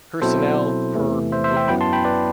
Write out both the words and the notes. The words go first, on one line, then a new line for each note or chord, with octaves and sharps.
Personnel per booklet.
B2 F#3 C4 E4 A4 C5
E2 C3 E3 A3
C5 E5
C5 E5
E5 G5
F#2 F#3 B3 E4 G5 B5
A5 C6
G5 B5
B4 D5